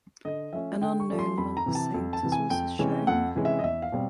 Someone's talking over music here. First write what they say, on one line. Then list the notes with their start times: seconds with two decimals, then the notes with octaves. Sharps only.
An unknown monk saint is also shown.
0.25 D3 D#5
0.53 F3 A3 C#4 E5
0.81 D3 G5
1.00 C#6
1.09 F3 A3 C#4
1.19 C6
1.38 F2 B5
1.57 A#5
1.66 C3 E3
1.75 A5
1.94 F2
2.13 A5
2.23 C3 E3
2.32 G#5
2.50 F2 G5
2.79 C3 E3 G#3 C#4
3.07 F2 F#5
3.35 C3 E3 G#3 C#4
3.45 E5
3.59 D#5
3.63 E2 E5
3.82 F5
3.92 B2 G3 C4